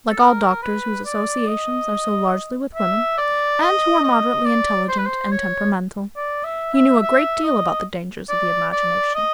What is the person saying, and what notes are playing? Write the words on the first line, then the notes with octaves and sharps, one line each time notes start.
Like all doctors whose associations are so largely with women, and who are moderately intelligent and temperamental, he knew a great deal about the dangers of the imagination.
A4
A#4
B4
D5
D#5
E5
D5
D#5
D#5
D5
C5
B4
C5
C#5
D5
E5
E5
E5
D#5
D5
D5
D#5